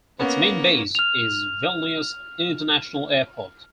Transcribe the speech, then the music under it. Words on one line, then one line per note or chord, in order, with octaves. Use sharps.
Its main base is Vilnius International Airport.
A#3 B3 C#4
F6 F7